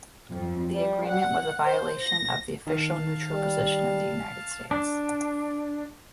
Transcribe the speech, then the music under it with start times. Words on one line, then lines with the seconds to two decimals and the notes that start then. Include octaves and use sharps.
The agreement was a violation of the official neutral position of the United States.
0.31 F2
0.74 G3
1.06 F#5
1.64 C5
2.00 A#6
2.67 D#3 F5 A5
3.32 G3
4.71 D4